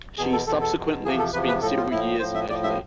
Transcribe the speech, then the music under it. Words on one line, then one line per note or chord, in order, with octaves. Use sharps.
She subsequently spent several years in Italy.
E2 B2 G#4
A4
E2 B2 A4
A4
E2 B2
E2 C3 F3 G#4
A4
E2 C3 F3 B4
B4
A2 F3 A4
F4
A2 F3 E4
A2 F3 C5
E5
A2 F3 D5
E5